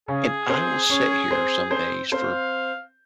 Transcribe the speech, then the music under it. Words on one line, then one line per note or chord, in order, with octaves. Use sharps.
and I will sit here some days, for
C#3 C#4 G#4
C4 C5
C#4 C#5
C4 C5
C4 C5
C4 C5 F5